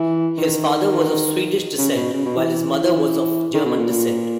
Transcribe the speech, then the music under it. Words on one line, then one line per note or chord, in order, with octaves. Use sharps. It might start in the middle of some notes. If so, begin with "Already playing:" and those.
His father was of Swedish descent, while his mother was of German descent.
Already playing: E3
D#3
C#3
C#3
B2
C#3
B2
E3
E3
D#3
B2
A#2
A#2